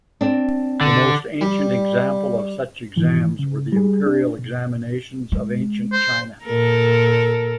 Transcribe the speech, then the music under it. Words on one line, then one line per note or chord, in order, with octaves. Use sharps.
The most ancient example of such exams were the imperial examinations of ancient China.
C4 D4
D3
G3
G#2 D#3 E3
C#3
G3 G#4
D4
B2
G#3
C5
A#2 A4 A#4